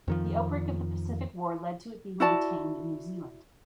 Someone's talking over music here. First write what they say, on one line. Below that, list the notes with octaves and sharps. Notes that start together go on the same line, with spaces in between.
The outbreak of the Pacific War led to it being retained in New Zealand.
F2 D#3 F3
E4 F#4 D5 A5